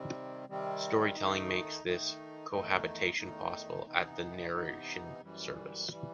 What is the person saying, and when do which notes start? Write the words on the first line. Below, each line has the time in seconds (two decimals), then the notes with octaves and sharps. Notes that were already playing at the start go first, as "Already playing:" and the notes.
Storytelling makes this cohabitation possible at the narration service.
Already playing: C3 D#3 G3 C4
0.49 C3 D#3 G3 C4
1.16 D#3 A3 D#4
1.83 D#3 A3 D#4
2.51 E2 D#3 A3 D#4
3.18 E2 D#3 A3 D#4
3.86 C3 E3 B3 D#4
4.53 C3 E3 B3 D#4
5.21 F#2 E3 G3
5.89 E3 G3